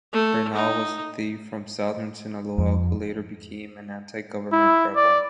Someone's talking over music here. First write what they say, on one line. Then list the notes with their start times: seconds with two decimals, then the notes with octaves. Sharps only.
Bernal was a thief from southern Sinaloa who later became an anti-government rebel.
0.13 A3
0.56 D#4
2.58 F2
4.52 E4
4.96 D5